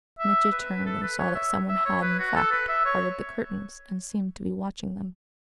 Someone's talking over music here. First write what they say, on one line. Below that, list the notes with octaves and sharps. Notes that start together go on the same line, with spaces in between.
Mitya turned, and saw that some one had, in fact, parted the curtains and seemed to be watching them.
E5
B4
A4
B4
C#5
E5
E5
C#5
B4
F#4
A4
B4
E5
C#5